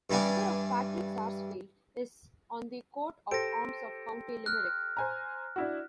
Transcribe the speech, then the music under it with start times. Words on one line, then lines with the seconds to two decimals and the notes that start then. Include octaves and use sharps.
A figure of Patrick Sarsfield is on the coat of arms of County Limerick.
0.10 G2 E3 G3 D4 G#5
3.31 G4 A4 C5 A#6 D7
4.46 F6 F#6
4.97 C5 G#5 A#5
5.56 D4 E4 F#4